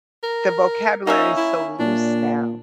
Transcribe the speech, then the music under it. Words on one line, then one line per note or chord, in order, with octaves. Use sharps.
the vocabulary is so loose now.
A#4
A#3 C#4 D#4 E5
E4
A#2 D4